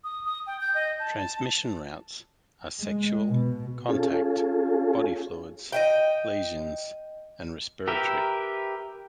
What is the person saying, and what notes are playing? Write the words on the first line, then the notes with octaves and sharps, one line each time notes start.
Transmission routes are sexual, contact, body fluids, lesions, and respiratory.
D#6
D#6
G5
G6
D#5
A5
A5
G#3
B2
C#4 F4 G#4 A4
D#5 E5 G5
G4 A#4 B4 E5 G5